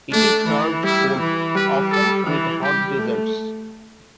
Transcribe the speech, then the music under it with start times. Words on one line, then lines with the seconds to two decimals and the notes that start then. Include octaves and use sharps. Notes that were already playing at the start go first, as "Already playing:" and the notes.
It is served cold, often with hot desserts.
0.11 A3 D4
0.48 E3
0.84 G3 E4
1.20 E3
1.55 G3 B4
1.91 A4
2.27 E3
2.63 G3 G4
2.98 A3